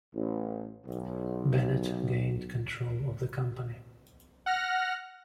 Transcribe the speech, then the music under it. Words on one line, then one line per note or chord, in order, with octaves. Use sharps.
Bennett gained control of the company.
A1
B1
F#5 F6 A#6